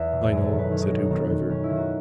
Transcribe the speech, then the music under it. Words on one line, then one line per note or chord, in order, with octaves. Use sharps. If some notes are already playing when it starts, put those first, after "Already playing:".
"I know," said Hoopdriver.
Already playing: E2 E3 E5 F#5
B2
F#2 G#4
A4
D#3
B4
D#3 C#5
D#5
D#3 F#4
D#4
D#3 B3
D#3
D#3 C#4
E4
D#3
F#4